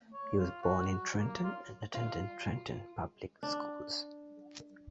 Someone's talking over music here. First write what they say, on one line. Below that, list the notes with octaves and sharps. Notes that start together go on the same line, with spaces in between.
He was born in Trenton and attended Trenton public schools.
C#5
F4
F#4
F#4
A#3
F4
F4
D4